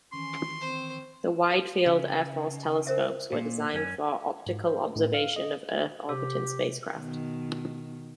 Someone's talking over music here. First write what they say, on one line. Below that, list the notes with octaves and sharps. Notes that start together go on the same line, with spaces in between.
The wide-field Air Force telescopes were designed for optical observation of Earth-orbiting spacecraft.
D#3 E3 C#4 C6 C#6
C4 C5
C#3
A#4 C5 E5
A#2
F#2 C#4
G#2
C5
A2
F5
D#5
C3 G4
B2 D#3